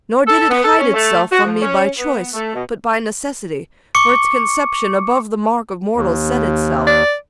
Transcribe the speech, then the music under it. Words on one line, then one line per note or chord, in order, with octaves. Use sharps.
Nor did it hide itself from me by choice, But by necessity; for its conception Above the mark of mortals set itself.
A4
B3
A4
C#4
A3
F#4
F3
C#4
B3
A3
B2
C#6 D6 C#7
D#2
D5